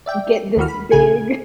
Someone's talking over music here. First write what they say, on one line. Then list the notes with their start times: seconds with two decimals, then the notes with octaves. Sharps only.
get this big,
0.06 D5 E5 G5
0.57 D#2 D#3 E3 F#4 F6
0.68 B5
0.91 A#1 C#3 G#4 G#5 G#6